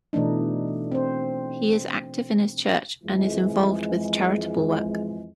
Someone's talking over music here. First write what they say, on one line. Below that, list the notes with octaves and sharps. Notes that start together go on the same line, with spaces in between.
He is active in his church and is involved with charitable work.
B2 E3 A3 D4 D#4
C4 C5
F2 E3 F3 G#3